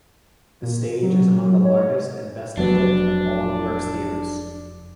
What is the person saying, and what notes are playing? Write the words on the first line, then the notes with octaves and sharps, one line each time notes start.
The stage is among the largest and best-equipped of all of New York's theaters.
A#2
F#3
F#3
C#5
F1 F#3 B3 D4